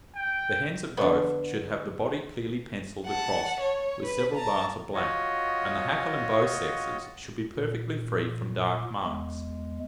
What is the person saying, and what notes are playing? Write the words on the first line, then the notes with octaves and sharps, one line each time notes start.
The hens of both should have the body clearly pencilled across with several bars of black, and the hackle in both, sexes should be perfectly free from dark marks.
G5
D3 B3
F#5 A5
C#5
B4
A5 A#5
F4 F#4 C#5 D#5
A#2
E2 G#3